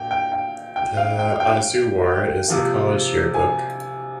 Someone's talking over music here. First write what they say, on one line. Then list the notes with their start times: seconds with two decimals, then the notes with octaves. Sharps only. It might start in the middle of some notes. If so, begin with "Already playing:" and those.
"The Azuwur" is the College yearbook.
Already playing: A#2 G5
0.11 G5
0.32 G5
0.76 G5
0.97 F5
1.19 G5
1.40 G5
2.48 C3 F3 A#3
3.34 G#5